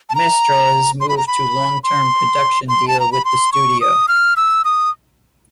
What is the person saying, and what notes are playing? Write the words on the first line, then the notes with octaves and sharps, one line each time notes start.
Mestres moved to long term production deal with the studio.
A5
A#5
C6
B5
A#5
B5
C6
C6
A5
A#5
B5
C6
C#6
D#6
F6
E6
D#6